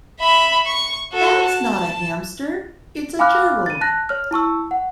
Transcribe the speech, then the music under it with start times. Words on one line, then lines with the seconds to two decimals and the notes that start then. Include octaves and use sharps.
That's not a hamster, it's a gerbil.
0.21 E5 B5
0.66 C#6
1.13 F#4 A4
1.47 A5
3.19 F5 G#5 B5 D6 F6 F#6
3.66 A6 D#7
3.81 A5 F#6 A#6
4.09 C#5 F6
4.31 E4 A5 C#6 E6
4.71 F#5